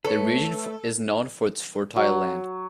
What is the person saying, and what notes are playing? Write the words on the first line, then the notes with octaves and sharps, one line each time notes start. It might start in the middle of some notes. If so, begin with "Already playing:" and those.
The region is known for its fertile land.
A3 A4 B4 C#5
F#3